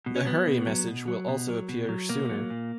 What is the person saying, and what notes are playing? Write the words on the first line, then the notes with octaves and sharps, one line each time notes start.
The "Hurry" message will also appear sooner.
B2
C#4
F#3 B3
B2
F#3
B2
F#3
B2
F#3
B2
F#3
B2 A#3
F#3
A#2